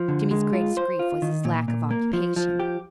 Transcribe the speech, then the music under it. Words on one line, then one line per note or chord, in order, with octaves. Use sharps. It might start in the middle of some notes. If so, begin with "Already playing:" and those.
Jimmy's greatest grief was his lack of occupation.
Already playing: F3
D3
G#3
F4
C5
F4
D#3
A#2
A#2
A#3
F3
F3
G4